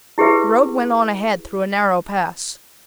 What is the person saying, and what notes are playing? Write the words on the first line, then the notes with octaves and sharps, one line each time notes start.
The road went on ahead through a narrow pass.
E4 G4 G#4 B4 E5